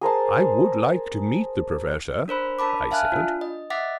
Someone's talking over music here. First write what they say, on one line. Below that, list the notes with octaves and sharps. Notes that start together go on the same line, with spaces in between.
"I would like to meet the Professor," I said.
G#4 A#4 C5 A5
D4 A#4 C5 B5
D4 A#4 A5 B5 D6
E5 F5 G#5 A5 F6 F#6
D4 F4
D#5
D#5 E5 F#5 D6 A6 B6